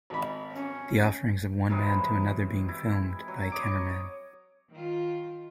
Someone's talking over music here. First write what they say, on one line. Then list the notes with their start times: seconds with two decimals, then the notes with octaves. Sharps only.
The offerings of one man to another being filmed by a cameraman.
0.10 G#1 D#5 B5
0.52 C#4
1.70 C3 E3 F#3 G#3
2.68 E4
3.28 F#3
3.52 C#5 D#5 D6
4.71 D#3 F4